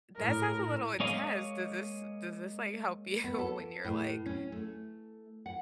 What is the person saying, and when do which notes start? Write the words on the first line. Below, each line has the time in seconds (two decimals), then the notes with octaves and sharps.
That sounds a little intense, does this does this, like, help you when you're, like,
0.17 A2 A#4
1.00 G#3 A#3 C#5 D#5 F5
3.24 B3
3.39 A4
3.85 A2
4.26 C#4
4.52 A3
5.46 F#5